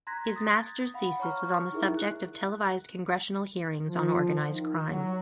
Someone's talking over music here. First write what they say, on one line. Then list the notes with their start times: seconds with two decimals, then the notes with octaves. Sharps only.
His master's thesis was on the subject of televised congressional hearings on organized crime.
0.07 A#5 C6 F#6 G#6 A#6 B6
0.36 D#6 A6
0.94 F5 F#5 B5
1.19 C#5 A#5 C#6 F6
1.72 D#4 E4 G#4 A#4 E5
1.97 F#6
3.88 F3
4.49 D#3
4.89 F#3